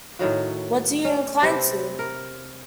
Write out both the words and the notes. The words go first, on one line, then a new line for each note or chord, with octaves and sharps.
What do you incline to?
A2 D#3 F#3 F#4
C#4
C3 C4 G4 B4
A#4